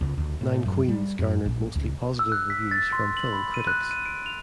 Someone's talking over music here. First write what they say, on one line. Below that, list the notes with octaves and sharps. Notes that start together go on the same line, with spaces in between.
"Nine Queens" garnered mostly positive reviews from film critics.
C#2
D2
A2
F#2
G3
F#2
A#1
C#2
E6
F#6
B6
A6
C6
F#7
B5
D#7
F#6
D#7
D7
F7